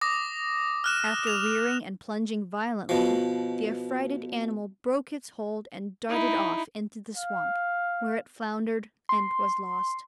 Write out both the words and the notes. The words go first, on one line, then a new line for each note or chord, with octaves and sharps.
After rearing and plunging violently, the affrighted animal broke its hold and darted off into the swamp, where it floundered and was lost.
D6 D#6 A#6
F6 F#6 E7
F7
B2 F3
D#4 E4
F5
C6